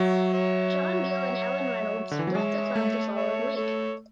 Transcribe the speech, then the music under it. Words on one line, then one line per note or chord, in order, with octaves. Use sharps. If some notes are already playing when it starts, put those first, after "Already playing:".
John Gill and Alan Reynolds left the club the following week.
Already playing: F#3 C#5 E5
C#5 E5
D3
E3
F#3
G#3 C#5 E5
A3
C#5 E5
A4 C#5